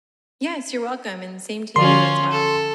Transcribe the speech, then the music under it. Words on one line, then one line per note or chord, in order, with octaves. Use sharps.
Yes. You're welcome, and same to you as well.
D3 F3 C#4 F4 F#4 C6
A4